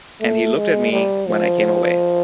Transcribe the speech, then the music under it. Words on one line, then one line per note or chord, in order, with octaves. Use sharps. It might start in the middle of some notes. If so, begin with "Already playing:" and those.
And he looked at me when I came away!
A3
G#3
G3
F3